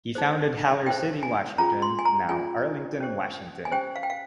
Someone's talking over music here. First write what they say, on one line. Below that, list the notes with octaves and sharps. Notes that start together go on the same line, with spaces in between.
He founded Haller City, Washington, now Arlington, Washington.
D#4 G#4 C5
D#4 G#4 C5 G5
G#5
C#4 F4 G#4 A#5
C6
G#5
A#5
C#4 F4 G#4 G#5
C#4 G4 C5
G#5
C#4 G4 C5 G5
F5
G5
F5